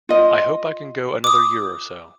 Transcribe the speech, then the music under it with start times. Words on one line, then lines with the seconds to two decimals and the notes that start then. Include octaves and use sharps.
I hope I can go another year or so.
0.09 F4 D#5
1.24 D6 D#6